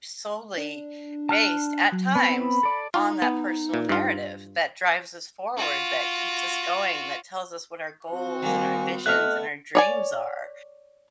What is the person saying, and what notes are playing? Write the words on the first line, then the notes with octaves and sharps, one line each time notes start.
solely based, at times, on that personal narrative that drives us forward, that keeps us going, that tells us what our goals and our visions and our dreams are
D4
A5 F6 F#6
F#3
B3 C4 B5
A4 D5
D#4 F4
B3
A#2
G2 F4
F4 F#4
C4 F#4
D#3 G3 A#3 G#5
A3 B3 E4 D#5 F6 F#6
C#5 D5 G#5